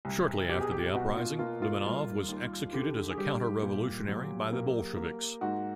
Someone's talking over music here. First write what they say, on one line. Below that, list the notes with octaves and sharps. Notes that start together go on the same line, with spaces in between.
Shortly after the uprising, Lamanov was executed as a counter-revolutionary by the Bolsheviks.
C2
B2 G4
G#4
G4
B2 F#4
F4
A#3 F4
F4
G3
D#2
D3 G4
G#4
G3 G4
A#2
F#3
A#3
A#3
G#2 F#4